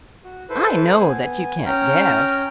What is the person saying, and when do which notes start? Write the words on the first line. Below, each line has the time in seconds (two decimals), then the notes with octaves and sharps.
"I know that you can't guess."
0.24 F#4
0.49 E4 A4 B4 C5
1.00 B3 G#5
1.66 C#4 G5 A#5 F6